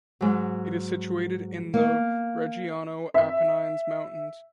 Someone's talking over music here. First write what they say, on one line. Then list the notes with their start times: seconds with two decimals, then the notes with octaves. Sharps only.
It is situated in the Reggiano Apennines mountains.
0.21 G#2 F#3
1.74 A#3
3.14 E5